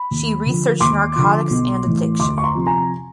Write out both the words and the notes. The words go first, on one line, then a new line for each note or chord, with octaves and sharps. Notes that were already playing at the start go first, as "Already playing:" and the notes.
She researched narcotics and addiction.
Already playing: B5
D#2
D3 F3
D#2 C6 D6
D3 F3
B1
A2 E3
D2 C6 D6
C#6
A#5 C6
C3 F3
G#5 A#5